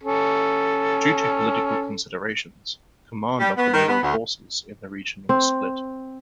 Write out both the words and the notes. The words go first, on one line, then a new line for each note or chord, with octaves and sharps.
Due to political considerations, command of the naval forces in the region was split.
C#4 A4
G3
B3
D#3
B3
D2
C4